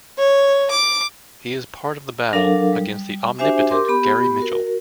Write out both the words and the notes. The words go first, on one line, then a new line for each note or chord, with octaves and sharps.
He is part of the battle against the omnipotent Gary Mitchell.
C#5
D6
F#3 D4 A4 A#4 F5
G3
D4 F#4 G4 C5 E5 G#5
G4 A#4 C6 D6
B3 G4 B5
F#4 A#4